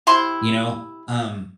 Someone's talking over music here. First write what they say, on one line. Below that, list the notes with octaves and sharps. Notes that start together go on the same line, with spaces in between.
you know, um,
C3 E4 C6